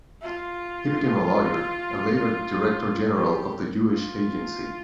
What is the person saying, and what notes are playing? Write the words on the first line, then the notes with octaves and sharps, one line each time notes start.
He became a lawyer, and later Director General of the Jewish Agency.
F4
G4
F4